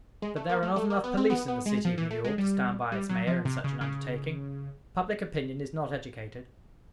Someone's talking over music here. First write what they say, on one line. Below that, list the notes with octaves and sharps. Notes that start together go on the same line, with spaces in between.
But there are not enough police in the city of New York to stand by its Mayor in such an undertaking; public opinion is not educated.
G#3
A3
A#3
A3
A3
A#3
B3
C4
B3
B3
G#3
F3
E3
A3
G#3
G3
G3
F#3
F3
C3
C#3
C#3